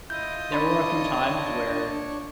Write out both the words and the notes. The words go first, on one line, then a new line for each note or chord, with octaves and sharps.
there were a few times where
E4 F4 D#5 G6
D4 C#5 D5 A5 B5 C6